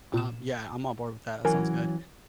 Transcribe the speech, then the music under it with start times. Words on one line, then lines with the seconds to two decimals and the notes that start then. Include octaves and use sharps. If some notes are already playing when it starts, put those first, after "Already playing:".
Um, yeah, I'm on board with that, that sounds good.
0.14 A#2 E7
1.45 E3 F#3 C#4 A#4 G#5